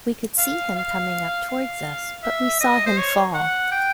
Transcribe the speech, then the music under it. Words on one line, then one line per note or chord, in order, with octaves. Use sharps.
We could see him coming up towards us, but we saw him fall.
F5
F5
F5
E5
D#5
C5
C#5
F#5
G5